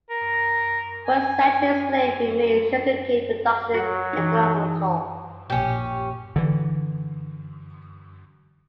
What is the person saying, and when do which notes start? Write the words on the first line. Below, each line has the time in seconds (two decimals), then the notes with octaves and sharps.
For centuries slavery made sugarcane production economical.
0.10 A#4
1.06 G#5
3.74 F#3 F#4 F#5
4.13 E3 D#4
5.50 A#1 C#4 G4
6.36 D3 E3